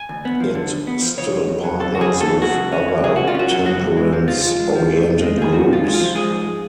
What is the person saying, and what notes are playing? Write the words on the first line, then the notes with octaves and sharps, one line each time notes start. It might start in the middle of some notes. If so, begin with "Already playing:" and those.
It still partners with other temperance-oriented groups.
Already playing: G#5
D2
B3
F3
D3
D2
B3
F3
C#3 C#5
F2
F2
F#3
C#3 A4
F2 F#4
G#4
F2
A4
F#3
C#3 F#4
C#2
C#4
F#3
C#3 G#4
C#2 F#4
F4
C#4 F#4
F#3
C#3 F#4
F2
G#3
F3
C#3 F4
F2
G#3
F3
A2
B1
G#3
F3 G#4
A2 F#4
B1
F4
G#3
F4
F3
G#3 G#4
G#2